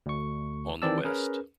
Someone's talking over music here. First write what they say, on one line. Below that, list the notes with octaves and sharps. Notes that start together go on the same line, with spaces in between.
On the West.
D2 C#6
D#3 E3 C4 D5 A5 E6
C#4 G#4 A#4 B4